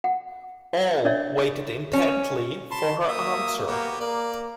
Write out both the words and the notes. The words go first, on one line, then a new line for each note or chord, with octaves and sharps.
All waited intently for her answer.
F#5
D4 A#4 C#5 D5 E5
C#4
A5 B5 C6
F#3 A#3 E5 D#6
A#3 B3 F#4 G4
A#3 D5